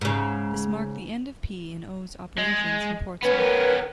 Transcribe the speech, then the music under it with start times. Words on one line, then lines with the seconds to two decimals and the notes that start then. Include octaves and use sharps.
This marked the end of P and O's operations from Portsmouth.
0.01 G#2 C#3
2.38 G#3
3.23 B3 C#4 B4
3.36 A#4 B4 G5